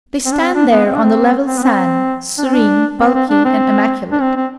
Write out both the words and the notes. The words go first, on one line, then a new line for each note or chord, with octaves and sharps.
They stand there on the level sand, serene, bulky and immaculate.
C4
D4
C4
D4
B3
C4
D4
C4
C4
B3
C4
D4
C4
D4
C4
C4
D4
C4
D4
C4
C4